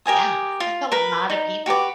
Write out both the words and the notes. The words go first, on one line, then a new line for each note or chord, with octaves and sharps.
Yeah, that's a lot of people.
G4 A#4 G#5 D#6
F4
A#4 B4 B5
D#4
F#4 G4 B4 D6